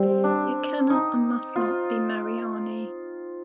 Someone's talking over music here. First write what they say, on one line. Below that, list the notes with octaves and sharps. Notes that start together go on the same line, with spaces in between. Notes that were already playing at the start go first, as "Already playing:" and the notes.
It cannot and must not be Mariani.
Already playing: G3 C4
D4
D#4
F4